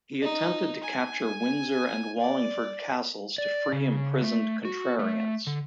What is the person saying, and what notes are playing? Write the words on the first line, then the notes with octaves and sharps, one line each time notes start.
He attempted to capture Windsor and Wallingford Castles to free imprisoned Contrariants.
D#4
G#5
D5
D5
C#3
A3
F#4
A3
D3